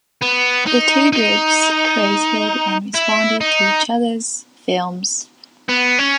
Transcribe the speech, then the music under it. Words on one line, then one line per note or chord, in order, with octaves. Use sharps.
The two groups created and responded to each other's films.
B3
D#4
D#4
E4
D#4
B3
C#4